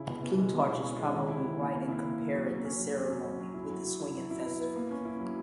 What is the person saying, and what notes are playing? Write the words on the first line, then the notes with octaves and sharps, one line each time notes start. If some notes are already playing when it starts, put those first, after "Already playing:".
Plutarch is probably right in comparing this ceremony with the swinging-festival.
Already playing: C#3 E4
B2
B2
G#3
B2
E4
C#4
G#3
D#3
E4
D#3
A#3
A#3
E4
A#3
A#3
F#3
F#3
C#4
F#3
F#3
C#4
F#3
F#3
E4
F#3
F#3
E4
F#3
E4
B3
B3
A#3
C#4
E4
F#3